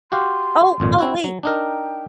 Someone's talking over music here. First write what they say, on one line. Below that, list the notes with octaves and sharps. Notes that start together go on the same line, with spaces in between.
Oh, oh, wait.
F#4 G4 F5 C6
G#1 F2 A#2
C4 E4 F#4
F#3
D4 D#4 A#4 G5